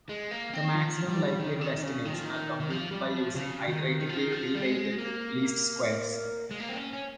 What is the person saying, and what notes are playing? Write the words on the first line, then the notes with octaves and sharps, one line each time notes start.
The maximum-likelihood estimates are computed by using iteratively reweighted least squares.
G#3
A#3
C4
F3
G3
D#3
C#3
D#3
D#3
C#3
D#3
F3
D#3
D#3
F3
G3
F3
C#3
D#3
D#3
F3
D#3
F3
G3
G#3
A#3
G#3
A#3
C4
C#4
C#4